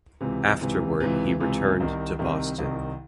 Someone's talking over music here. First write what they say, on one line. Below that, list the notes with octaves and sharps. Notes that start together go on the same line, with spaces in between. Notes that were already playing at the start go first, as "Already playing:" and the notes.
Afterward, he returned to Boston.
C#2 C3 E3
C#2 C3 E3
C#2 C3 E3
C#2 C3 E3
C2 C3 D#3
C2 C3 D#3
C2 C3 D#3